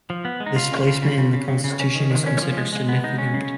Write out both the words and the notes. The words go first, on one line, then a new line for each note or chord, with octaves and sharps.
This placement in the Constitution is considered significant.
F3
B3
G#3
D#4
C#3 F4
C#3
C#3
C#3
C#3
C#3
C#3
C#3
C#4
D#3
D#3
C#4
F3
G#3
G#3
B3
G#3 D#4
C#4
C#3